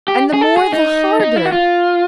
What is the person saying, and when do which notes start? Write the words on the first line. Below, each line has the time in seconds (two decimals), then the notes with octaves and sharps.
And the more the harder!
0.08 G4
0.34 G#4
0.41 A4
0.57 G#4
0.72 D#4
1.20 D#4
1.36 E4
1.46 F#4
1.52 F4